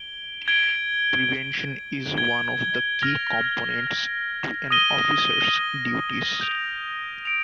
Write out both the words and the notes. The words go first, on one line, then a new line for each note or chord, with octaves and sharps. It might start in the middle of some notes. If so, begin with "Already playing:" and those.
Prevention is one of the key components to an officer's duties.
Already playing: G#6 D7 G7
G#6 D7 G7
G#6 D7 G7
G#6 D7 G7
F6 A#6 F7
F6 A#6 F7
D#6 A#6 D#7 G7
D#6 A#6 D#7 G7
G6 D7 F7
D7 F7